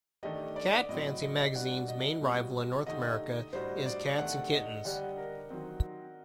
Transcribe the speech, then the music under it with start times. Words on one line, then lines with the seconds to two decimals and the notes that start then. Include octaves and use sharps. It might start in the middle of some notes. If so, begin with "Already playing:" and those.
"Cat Fancy" magazine's main rival in North America is "Cats and Kittens".
0.23 D#3 A3 D4 G4 D#5
0.56 D5
0.89 A2 F#3 C4 D#5
1.22 D#5
1.54 G3 D4 F#4 F#5
1.88 D#5
2.21 A#2 G3 C4 F#4
2.87 D3 A3 D#4 G4 D#5
3.53 A2 G3 D4 F#4 C5
3.86 D5
4.19 C3 D#3 A3 D4 F#5
4.52 D#5
4.84 D3 G3 D4 G4 F#5
5.17 A#4
5.50 D#3 F#3 C4